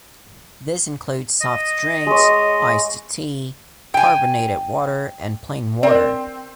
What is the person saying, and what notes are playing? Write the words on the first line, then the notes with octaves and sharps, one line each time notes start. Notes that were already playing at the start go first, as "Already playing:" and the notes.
This includes soft drinks, iced tea, carbonated water, and plain water.
D#5
G#3 C#5
G5 G#5
C4 A#4 D5